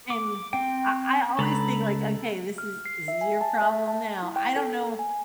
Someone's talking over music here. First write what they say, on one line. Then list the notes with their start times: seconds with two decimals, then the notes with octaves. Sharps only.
and I I always think, like, "Okay, this is this is your problem now," I don't know.
0.10 D6
0.53 C4 G5
1.39 C#2 A4 A#5 B5
2.58 F6
2.85 C7
3.08 E5
3.21 G#5
3.41 A5
3.62 E5
3.88 A5
4.23 E4
4.36 G5
4.56 A4
4.99 G#5